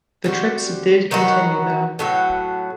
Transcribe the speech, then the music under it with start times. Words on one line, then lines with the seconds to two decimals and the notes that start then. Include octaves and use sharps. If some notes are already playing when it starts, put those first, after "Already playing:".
The trips did continue though.
0.24 G3 C4 F#4
1.11 D#3 F#3 B3 F#4
1.99 A2 F#3 B3 F#4